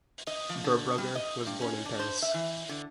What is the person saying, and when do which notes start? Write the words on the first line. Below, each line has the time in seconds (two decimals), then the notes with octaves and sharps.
Berbrugger was born in Paris.
0.27 D#5
0.49 F3
0.64 D3
0.98 G3
1.15 D#5
1.46 G2
1.62 C#4
1.85 D4
1.99 C5
2.22 E5
2.34 E3
2.69 D3